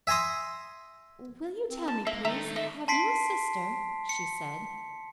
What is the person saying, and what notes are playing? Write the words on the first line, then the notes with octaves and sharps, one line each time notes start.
"Will you tell me, please, have you a sister?" she said.
E5 G#5 A#5 C6 D#6
C4
F3 A5
G#3 A#3 E5
D#3 A3 C4 E5 A#5
D#5 E5
A5 C6 B6 C7 D7
C#7